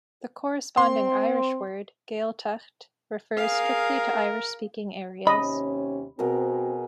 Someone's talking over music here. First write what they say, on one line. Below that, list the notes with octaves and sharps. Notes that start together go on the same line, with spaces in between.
The corresponding Irish word "Gaeltacht" refers strictly to Irish-speaking areas.
C4 C6
G#4 A#4 F5
D#2 C3 C#4 D#5 B5
B2 C4 F#4 G#4 A#4